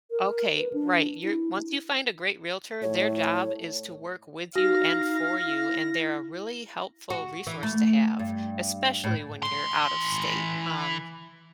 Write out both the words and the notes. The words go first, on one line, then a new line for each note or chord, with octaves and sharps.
Okay, right, you're once you find a great realtor, their job is to work with you, and for you, and they're a really helpful resource to have, especially when you're out of state, um,
A#4
B4
D4
E4
A2 C#5
D#4 F#4 F5 A#6
E4
F#4
E3
A3
G2
A2
E3 C6